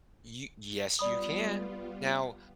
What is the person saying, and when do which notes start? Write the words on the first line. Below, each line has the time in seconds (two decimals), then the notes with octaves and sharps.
You yes, you can. Now
0.99 G3 B3 F4 D5 B5 D#6